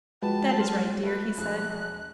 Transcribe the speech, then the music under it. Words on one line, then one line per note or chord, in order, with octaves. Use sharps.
"That is right, dear," he said.
F3 G#3 F#4 G4 B4 A5
C6 F6
A3 B4
E1 A#1 F#6